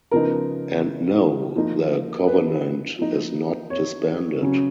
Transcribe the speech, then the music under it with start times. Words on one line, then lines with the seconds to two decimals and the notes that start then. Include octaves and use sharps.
And No, The Kovenant is not disbanded.
0.11 C#3 F3 B3 D#4 A#4
1.56 F3 A#3 D#4
2.27 B4
2.99 F3 A#3 D#4
3.70 C#5
4.41 C#3 F#3 C#4